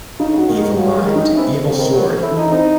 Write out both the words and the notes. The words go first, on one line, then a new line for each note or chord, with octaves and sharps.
Evil mind, evil sword.
C#3 D#4
F#4
D#3
G#3
C#3 F#4
G#3
D#3
D#4
E3 C4
A4
C#3
D#3 C4
F#3 C4
A4
E4
E3
D#4
C4 D#4